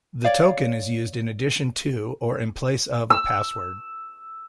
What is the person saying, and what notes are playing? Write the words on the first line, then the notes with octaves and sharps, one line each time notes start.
The token is used in addition to or in place of a password.
C#5 D5 F5
E6